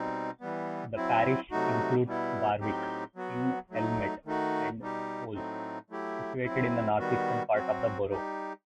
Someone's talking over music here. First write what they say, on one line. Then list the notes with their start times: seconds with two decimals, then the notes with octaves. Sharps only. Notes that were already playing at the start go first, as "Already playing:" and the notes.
The parish includes Barwick-in-Elmet and Scholes, situated in the north-eastern part of the borough.
Already playing: B2 G3 C4 D#4
0.41 E3 G3 B3
0.96 F#3 C4 E4
1.51 C3 F#3 A3 D#4 F#4
2.06 B2 G3 B3 E4
2.60 A2 F#3 C4 D#4 G4
3.15 F#3 B3 F#4
3.70 F#3 A3 D#4
4.25 D#3 A3 D#4 F#4
4.80 B2 G3 D#4 G4
5.34 A2 F#3 A3 C4 D#4
5.90 F#3 A3 E4 G4
6.45 F#3 C4 E4
6.99 D#3 G3 B3 F#4
7.54 F#3 C4 F#4
8.09 G3 D#4 G4